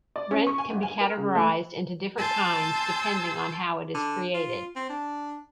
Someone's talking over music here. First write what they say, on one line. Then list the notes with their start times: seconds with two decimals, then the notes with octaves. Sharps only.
Rent can be categorised into different kinds depending on how it is created.
0.16 D5
0.31 C#4
0.47 C#6
0.58 G#5
0.70 G1
0.83 G#5
1.01 A#4
1.17 C#3
1.35 A3
2.16 G#5 A5 C6 E6 G6 A6
3.95 D3
4.34 F4
4.76 C4
4.90 D4